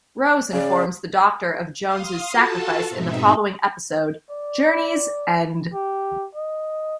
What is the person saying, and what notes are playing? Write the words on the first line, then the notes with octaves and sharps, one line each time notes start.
Rose informs the Doctor of Jones' sacrifice in the following episode, "Journey's End".
C#3 D5
F5 C6 D#6
F4 F#4 A4 A5
G#2 B2 C4 D#4 E5
D5
G4
D#5